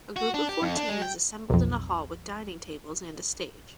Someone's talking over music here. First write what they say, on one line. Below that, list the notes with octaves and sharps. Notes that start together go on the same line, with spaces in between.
A group of fourteen is assembled in a hall with dining tables and a stage.
F#4
D4
G4
F2
D4
G#3
G5
B1 F2